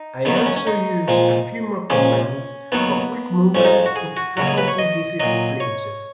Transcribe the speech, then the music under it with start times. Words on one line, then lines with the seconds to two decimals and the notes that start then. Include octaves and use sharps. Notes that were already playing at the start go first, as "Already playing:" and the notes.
I also use a few more commands for quick movement to frequently visited places.
Already playing: D#4
0.25 D#2 D#3 F#3 B3
0.35 B3
0.46 C#4
0.56 C#4
0.67 D#4
1.08 A#2 F3 G#3
1.90 A#2 F3 G#3 C#4
2.72 D#2 D#3 F#3 B3
3.55 F2 F3 G#3 C#4
3.65 D#4
3.86 F#4
3.96 G#4
4.17 F#4
4.37 D#2 C#3 F#3 F#4
4.47 G#4
4.58 B4
4.68 C#5
4.78 D#5
5.20 A#2 F#3 D#5
5.60 C#5